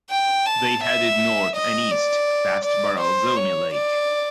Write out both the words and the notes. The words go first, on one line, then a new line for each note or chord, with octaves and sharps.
They headed north and east past Baralzone Lake.
G5
A5
E5
D#5
D5
D5
C5
C#5
D5